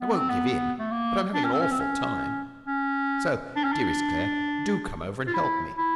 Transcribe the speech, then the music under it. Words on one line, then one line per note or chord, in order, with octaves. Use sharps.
I won't give in, but I am having an awful time. So, dearest Claire, do come over and help me.
B3
C4
B3
A3
A#3
D4
C#4
C4
C#4
C4
C#4
C#4
D4
C#4
D4
F4
E4
E4